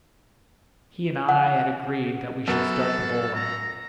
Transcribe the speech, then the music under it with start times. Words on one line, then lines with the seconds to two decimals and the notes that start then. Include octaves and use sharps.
He and I had agreed that we should start the bowling.
1.29 F#5
2.48 F#2 B3 A4
3.35 A#5